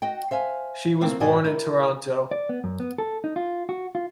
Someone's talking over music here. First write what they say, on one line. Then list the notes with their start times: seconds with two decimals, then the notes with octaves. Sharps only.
She was born in Toronto.
0.02 F#4 D#5 G5
0.31 C5 E5 F5 G#5
1.01 A3 A#3 C4
1.20 G#2 B2 F#4 D5 D#5 G#5
1.44 E4 A#4
2.31 D5
2.49 B3
2.64 F#2
2.80 B3
2.98 A4
3.24 D#4
3.36 F4
3.69 F#4
3.95 F4